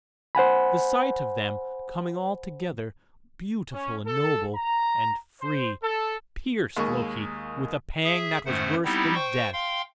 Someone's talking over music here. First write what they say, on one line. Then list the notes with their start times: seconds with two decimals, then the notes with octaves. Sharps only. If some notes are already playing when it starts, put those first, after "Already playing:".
The sight of them coming all together--beautiful, and noble, and free--pierced Loki with a pang that was worse than death.
0.35 C5 F#5 G#5 B5
3.74 C#4
4.07 A4
4.55 A#5
5.42 C5
5.83 A4
6.77 D#2 G#3 A#3 C#6
8.05 G#4 E5
8.46 F#2 D#3 A3 C5 F#5
8.85 G3 B3 C4 D#4 E4 G4
9.15 C5 G5 C#6
9.53 F5 G5 C6